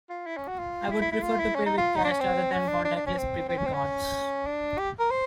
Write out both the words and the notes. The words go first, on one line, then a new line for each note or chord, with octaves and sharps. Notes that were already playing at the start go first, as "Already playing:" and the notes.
I would prefer to pay with cash rather than contactless prepaid cards.
F4
E4
C#4
F#4
F4
E4
E4
E4
F4
E4
C#4
D#4
F4
D#4
D4
C#4
C4
C#4
D4
D4
D4
C#4
C4
C4
C#4
C4
C#4
D4
G4
A#4
C5